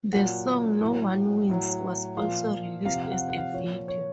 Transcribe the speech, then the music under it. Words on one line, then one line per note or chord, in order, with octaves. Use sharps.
The song 'No-one Wins' was also released as a video.
A#2 F#3 F#5
A2 F#3
A2 F#3
A#2 F3 F5
C3 F3 F5
F#5
F5
F#5
F5
F#5
F5
A#2 F3 C#5
C#5